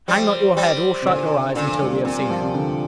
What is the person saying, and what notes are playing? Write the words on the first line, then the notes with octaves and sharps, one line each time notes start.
Hang not your head or shut your eyes until we have seen it.
F3 G3 C4
F3
G3 C4
C3
A#2 D3
A#2 D3
F3
G3
A#3
A#2 C4
G3
F3
C3
D3